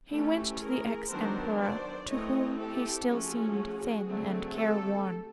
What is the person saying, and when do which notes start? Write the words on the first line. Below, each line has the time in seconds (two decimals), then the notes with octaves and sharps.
He went to the ex-Emperor, to whom he still seemed thin and careworn.
0.11 E3 A3 C#4 G4 A4
0.61 G#4 A#4
1.10 D#3 F#3 B3 D4 A#4 C5
1.60 C5 D5
2.09 E3 A3 C4 C#5 D#5
2.59 G4 A4
3.08 F3 A3 C#4 F#4 G#4
4.07 D3 F#3 A3 C4
4.56 G4 A4